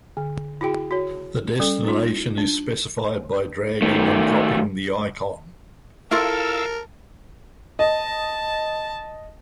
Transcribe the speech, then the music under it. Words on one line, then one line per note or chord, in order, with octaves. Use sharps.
The destination is specified by dragging and dropping the icon.
D3
E4 F#4 G#4 G5
F#4 C#5
G3 C#4 A4
D#4 F4
D4
D#3 A3
E4 F4 A4 A#4 F5 E6
D#5 A5